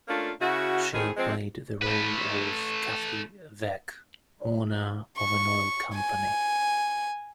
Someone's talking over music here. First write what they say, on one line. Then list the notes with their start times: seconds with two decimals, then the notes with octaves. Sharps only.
She played the role of Kathy Veck, owner of an oil company.
0.08 A3 A#3 C#4 D4 F4
0.40 C#3 E4 F#4
0.93 A2 D#3 C4 G#4
1.17 F3 G#3 C4
1.82 A3 B4
5.17 C#6
5.93 G#5